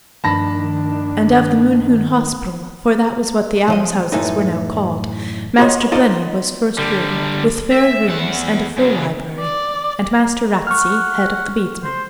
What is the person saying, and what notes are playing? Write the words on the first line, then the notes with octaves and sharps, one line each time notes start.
And of the Mohune Hospital--for that was what the alms-houses were now called--Master Glennie was first warden, with fair rooms and a full library, and Master Ratsey head of the Bedesmen.
G2 D#3 F3 A3 D4 A5 B5 A#6
B1 F3 D#5
F#2 A2 E3 A3 D#4
F4 F#4 A4 C#5 D#5 F#5
D#4 F4 A4 C5 D5 D#5
D3 G3
E5
E2 F#5
C#3 F#3
D5
F#5 C#6 F6
C5